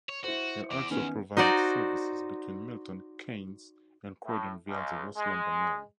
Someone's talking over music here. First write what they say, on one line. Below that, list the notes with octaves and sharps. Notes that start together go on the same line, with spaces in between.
It also provides services between Milton Keynes and Croydon via the West London Line.
C#5
E4 F#4 C5
E2 D6
D#3 B3 C#4
D#4 F#4 C5 D5
A2
C#2
G#3